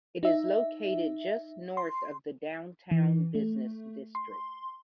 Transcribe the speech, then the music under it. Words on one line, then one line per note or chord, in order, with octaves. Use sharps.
It is located just north of the downtown business district.
D#4 E5
C6
E3
A3
C6